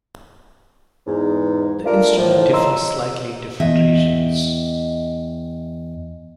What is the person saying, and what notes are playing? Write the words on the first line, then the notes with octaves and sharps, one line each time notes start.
The instrument differs slightly in different regions.
E2 G#2
G3 A3 D4 F4 A#4
A2 F3
C#5 D#5 A#5 C6 E6
E2 D#5 E5 G5